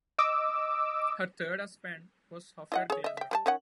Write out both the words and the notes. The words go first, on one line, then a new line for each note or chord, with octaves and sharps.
Her third husband was Ofer Glazer.
D#5 D6 E6
E4 D#5 F#5
G#4 C#5
D#5 E5
E5 G5
G3 B4 A5
D#3 C#4 F#5